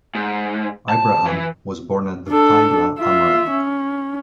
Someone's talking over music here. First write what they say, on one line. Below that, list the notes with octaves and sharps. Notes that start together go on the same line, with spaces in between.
Ibraham was born at the Thila, Amran.
G#2
A5
E3
D4 A4
F4 E5
C#4